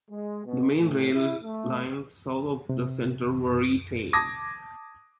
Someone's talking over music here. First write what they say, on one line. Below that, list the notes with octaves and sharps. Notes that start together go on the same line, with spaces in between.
The main rail lines south of the Centre were retained.
G#3
B2
A2
E4
A3
C3
A5 D6 D#6 G#6 A#6